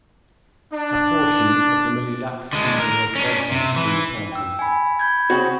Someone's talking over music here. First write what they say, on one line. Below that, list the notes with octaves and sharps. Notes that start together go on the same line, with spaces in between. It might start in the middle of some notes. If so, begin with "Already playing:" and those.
A portion of the Mille Lacs Indian Reservation is in the county.
D4
D3 G#3
A#4
C#4 D4
C3
E3
G5 E6
G#5 B5
B5 G6 G#6
C#3 C4 F#4